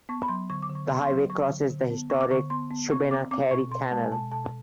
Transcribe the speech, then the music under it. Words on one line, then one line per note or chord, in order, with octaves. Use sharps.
The highway crosses the Historic Shubenacadie Canal.
B3 C#6
B5
F#3 C6
D3 C#6
D6
D3
C#6
B3 C6
C#6
C6
F#3
F#3 C#6
D3
D3
B3
B3 C#6
D6
D3 C#6
B3 C6
B3
C4 C#6
C4 D6
C4 D6
B2 C#6
B2 C6
G#3 A5
G#5
B2 A5
B2 A5